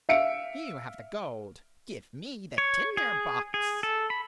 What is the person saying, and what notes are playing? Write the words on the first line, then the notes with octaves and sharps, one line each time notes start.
"You have the gold, give me the tinder-box!"
E5 F5 C#7 D7
C#5
G#4
G#4
A4
B5